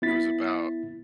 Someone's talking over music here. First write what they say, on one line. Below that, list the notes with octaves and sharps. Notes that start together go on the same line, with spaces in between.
It was about
B3 E4 A6 B6